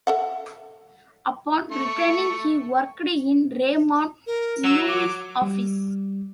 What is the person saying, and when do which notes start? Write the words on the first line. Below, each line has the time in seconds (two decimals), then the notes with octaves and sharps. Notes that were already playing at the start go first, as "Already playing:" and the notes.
Upon returning he worked in Raymond Loewy's office.
0.07 A4 E5 F#5
1.72 A3 C#6
4.27 A#4
4.64 F#3 E6
4.88 D6
5.42 G3